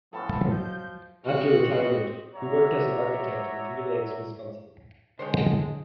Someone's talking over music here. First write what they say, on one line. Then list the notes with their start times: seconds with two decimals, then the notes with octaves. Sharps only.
After retirement he worked as an architect in Three Lakes, Wisconsin.
0.13 A2 F3 B3 C#4 A4
0.52 F#3 D#5 G6
1.25 C4 F#4 G4 D#5
2.35 C#5 D5 E5 F#5 A#5
5.19 D3 G#3 C5 C#5 G5